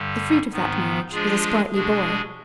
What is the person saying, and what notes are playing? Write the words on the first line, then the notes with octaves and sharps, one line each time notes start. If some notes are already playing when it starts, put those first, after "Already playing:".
The fruit of that marriage was a sprightly boy.
Already playing: G2 D3 G3
G#2 D#3 B3
F3 G#3 D4 F4 G#4
B2 G#3 D4 G#4